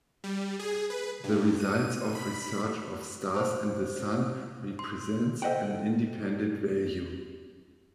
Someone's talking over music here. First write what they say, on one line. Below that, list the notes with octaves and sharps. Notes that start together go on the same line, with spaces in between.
The results of research of stars and the Sun represents an independent value.
G3
G#4
B4
G2
D#7
B5
C5
C6
A4 C5 D#5 E5 F#5 G5